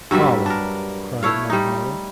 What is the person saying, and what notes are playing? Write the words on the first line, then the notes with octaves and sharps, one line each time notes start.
"Follow," cried Norhala.
G2 F#3 G3 E5
D4 A#4
A3 E4 C#5 F5
G3 D#4